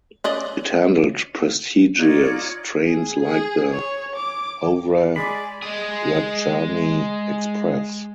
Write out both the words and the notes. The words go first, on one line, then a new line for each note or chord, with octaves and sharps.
It handled prestigious trains like the Howrah Rajdhani Express.
C#4 D5 D#5
D#4 F4 C#5 D5
G#4
G#4
C#5
D6
G#3 D5 G#5 B5
G#3 G#4